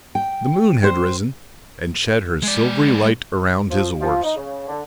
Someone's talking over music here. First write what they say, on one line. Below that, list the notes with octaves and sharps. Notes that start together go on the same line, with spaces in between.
The moon had risen, and shed her silvery light around his oars.
G5
C5
G#3 D5
F3
F3
D#4
C#3
D3